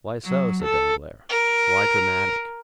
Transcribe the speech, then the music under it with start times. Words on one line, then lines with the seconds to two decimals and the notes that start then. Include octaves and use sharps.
"Why so?" said Danglars; "why dramatic?"
0.25 F#3
0.63 A4
1.29 A#4